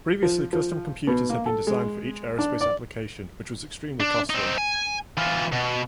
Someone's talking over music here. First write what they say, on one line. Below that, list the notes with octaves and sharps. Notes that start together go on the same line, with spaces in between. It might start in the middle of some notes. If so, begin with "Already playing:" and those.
Previously custom computers had been designed for each aerospace application, which was extremely costly.
F3
F3
B2
A#3
A4
G#3
D4
D5
D4
C4 D#4
G#5
E3 F4
B2